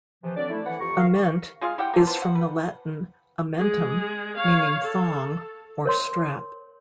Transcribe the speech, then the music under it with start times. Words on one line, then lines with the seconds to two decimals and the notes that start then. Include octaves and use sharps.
"Ament" is from the Latin "amentum", meaning "thong" or "strap".
0.23 C3 E3 F3
0.36 F#3 A3 C4 D4 D5
0.50 A3 E4
0.65 E3 F#5
0.80 F2 F3 G4 A#5 C#6
0.97 C2 F2 D#3 A#4 F5
1.61 G#3 F4 G#4 F5
1.78 E4 G4 F#5 G5
1.94 A#3 C#4 A4 C5
2.07 B3 E4 F4 C5
2.22 F#5
2.35 B4
3.58 G#3 G#4
4.37 C#5 F5
4.84 A4
5.85 A#4 C#5 C6